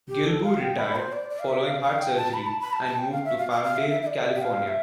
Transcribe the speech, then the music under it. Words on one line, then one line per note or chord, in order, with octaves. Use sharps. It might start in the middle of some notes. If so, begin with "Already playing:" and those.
Guilbeau retired following heart surgery and moved to Palmdale, California.
G4
A4
F5
G5
B5
C5
D5
D5
F5
E5
F5
F5
G5
A5
B5
A5
B5
A5
A5
G5
F5
E5
F5
F5
F5
E5
E5
E5
D5
E5
G5
F5
E5